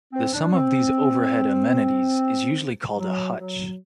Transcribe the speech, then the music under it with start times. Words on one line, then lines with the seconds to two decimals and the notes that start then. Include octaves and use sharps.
The sum of these overhead amenities is usually called a hutch.
0.13 C4
0.33 D4
0.54 C4
2.97 F#3
3.38 F#3